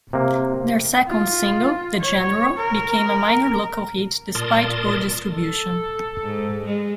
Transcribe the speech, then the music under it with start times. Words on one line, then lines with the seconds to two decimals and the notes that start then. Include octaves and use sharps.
Their second single, "The General," became a minor local hit, despite poor distribution.
0.13 C3 A#3
1.08 F4
2.01 C#5
2.57 A#4
4.35 A#2 A#4 D5 A5 C6 D#6
5.32 A4
6.24 G#2
6.65 G#3